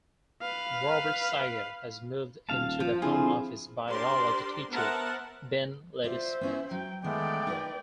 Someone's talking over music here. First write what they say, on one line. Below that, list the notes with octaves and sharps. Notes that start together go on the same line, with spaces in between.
Robert Cigar has moved into the home of his biology teacher, Ben Ladysmith.
B4 F5
D#1 F5 A5
F3 F4
D3 C4 E4 F4 G#4
D4 G4 A#4 C5 D5 C6
B3 A#4 C5 E5 F#5 A5
F4 C5 D5 E5
B3 C#4 E4
F#3 G5
D#3 G#3 A3 B3 D5 G5
D#4 A#4 B4